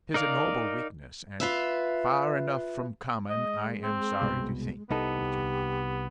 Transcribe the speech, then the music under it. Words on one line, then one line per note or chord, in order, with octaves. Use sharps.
"It is a noble weakness, and far enough from common, I am sorry to think," returned Polwarth.
D#4 A#4 D5 F5
F4 B4 E5
G#3 D#5
C4
C2 B2
C2 B3 D#4 G4 A4